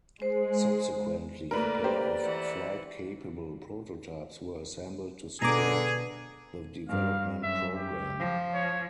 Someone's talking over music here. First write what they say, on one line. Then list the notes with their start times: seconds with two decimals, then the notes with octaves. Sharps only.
Subsequently, a pair of flight-capable prototypes were assembled to support the development program.
0.22 G#3 C5
1.51 A3 A#3 A#4 B4 D5
1.84 G4 C5
2.23 E3 F#5
5.42 B2 D3 G#4 A#5 D6
6.89 G2 F5
7.43 F#2 E5
7.75 G4
8.19 F3
8.55 C#5